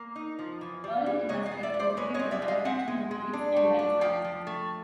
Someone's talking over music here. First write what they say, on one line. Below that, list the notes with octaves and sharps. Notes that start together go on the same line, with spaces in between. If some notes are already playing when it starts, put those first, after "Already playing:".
Early industries included the manufacturing of bricks and limestone.
Already playing: A#3
D#4
F3
E3
G3
E3
C3 C#5 D#5
D#5 F5
B3
D5 E5
B3
C5 D5
G#3 B4 C#5
C#5 D#5
C4
D5 E5
G#3
D#5 F5
C4 E5 F#5
G#3
G#3
D4
A3
D4
F3 F5 G5
F3
A3